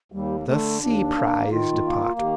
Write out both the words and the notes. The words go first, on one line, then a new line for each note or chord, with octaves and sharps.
"The Sea Prize Department."
D#2 G3
A#3
D3 A3
D#2 D4
A#3
D#3 F4
A#3
D#3 G4